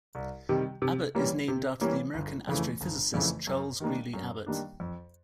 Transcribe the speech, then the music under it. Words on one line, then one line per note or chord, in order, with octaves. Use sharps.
Abbot is named after the American astrophysicist Charles Greeley Abbot.
C2
C3 D#3 G3
C3
E3 G3 A#3 C#4
C3
E3 G3 A#3 C#4
G1
F2 C#3 E3 A3
G1
F2 C#3 E3 A3
F#2
D#3 G3 A#3 D4
F#2
D#3 G3 A#3 D4
F2